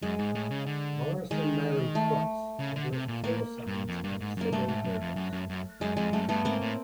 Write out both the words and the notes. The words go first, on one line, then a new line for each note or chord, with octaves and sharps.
Morison married twice, and left four sons and several daughters.
F#2 G#3
G#2
A2
C#3
D3
D#3 G#3
A3
C#3
D3
C3
A#2
A2 A#3
G2
F2
G2
G#2
F#2 A#3
G2 A3
G#2
F#2
F2
F#2
F#2
F#2
F#2 G#3
F2 G#3
F#2 A3
G2 A3 B3
G#2 A#3 C4
A2